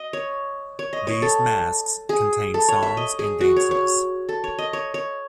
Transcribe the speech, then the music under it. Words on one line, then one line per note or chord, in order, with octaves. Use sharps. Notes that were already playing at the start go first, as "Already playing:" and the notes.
These masques contained songs and dances.
Already playing: D#5
C#5
C#5
D#5
C#5
A4
G#4
A4
C#5
E5
D#5
G#4
F#4
C#5
C#5
A4
C#5
D#5
C#5
C#5